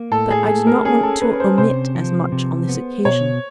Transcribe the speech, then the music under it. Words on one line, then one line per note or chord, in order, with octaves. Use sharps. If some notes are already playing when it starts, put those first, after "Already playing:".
But I did not want to omit as much on this occasion.
Already playing: A#3
A2 A4
G#4
A3 G#4
A#4
C#4 G#4
A4
C#4 B4
C5
C3 C5
F3
C3
B3
B2 C#5